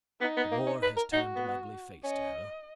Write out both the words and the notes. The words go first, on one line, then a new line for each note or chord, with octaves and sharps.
The war has turned an ugly face to her.
B3 D#4
B3
A#3
C#4
B4
A#4
D#4 F#4
B3
C#4 D#5